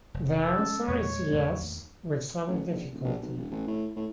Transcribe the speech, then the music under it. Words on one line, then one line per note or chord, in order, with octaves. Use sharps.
The answer is yes, with some difficulty.
F1
A4
G#3 C#4
E2 G2 A#2 C#5
E2 A2 D4
D#2
A1
A#1
D#1
A#1
B1
E1
A1
A2
A2